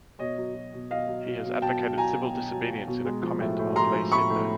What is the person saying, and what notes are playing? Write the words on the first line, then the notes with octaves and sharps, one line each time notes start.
He has advocated civil disobedience in a comment on Ley Sinde.
B2 C#5 D#5
F#3
F#3
B2
B2 D#5 F5
F#3
F#3
B2
B2 G5 A5
F#3
F#3 G#5 A#5
B2
B2
F#3
F#3
B2
G#3
F3
A2
A2
G#3 A#5 C6
F3
A2 B5 C#6
A2